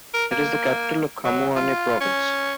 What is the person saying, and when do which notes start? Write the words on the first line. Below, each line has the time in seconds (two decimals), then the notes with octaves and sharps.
It is the capital of Khammouane Province.
0.14 A#4
0.31 A#3
1.25 F#3
1.56 F4
2.01 C#4